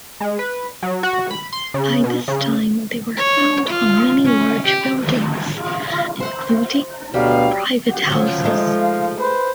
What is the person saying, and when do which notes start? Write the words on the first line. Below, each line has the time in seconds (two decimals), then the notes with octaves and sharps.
By this time they were found on many large buildings, including private houses.
0.21 G#3
0.39 B4
0.83 F#3
1.03 F#4
1.31 B5
1.53 C6
1.74 C#3
2.04 B2
2.28 C#3
3.17 C#5
3.68 F4
4.24 C#4
4.65 G4
6.20 C5 F#5 C6
7.14 D2 B2 F#3 G3 F5
8.10 F3 F#3 C#4
8.44 G#3 A3 D#4
8.81 F5
9.20 B4 C5